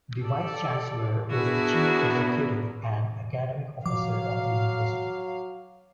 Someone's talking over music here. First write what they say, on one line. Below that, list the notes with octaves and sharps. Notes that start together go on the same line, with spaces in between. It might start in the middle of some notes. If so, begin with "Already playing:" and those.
The Vice Chancellor is the Chief Executive and Academic Officer of the University.
G4 A4 D5
B3 D4 E4 F#4 G#4 A#4
F3 F#3 F5 D6